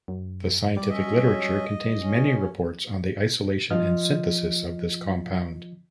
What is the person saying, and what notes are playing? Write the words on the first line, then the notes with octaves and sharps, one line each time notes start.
The scientific literature contains many reports on the isolation and synthesis of this compound.
F#2
G3 D5 D6
F#3 C#4 D#5 E5
C#4
F3 F4 D#5 F6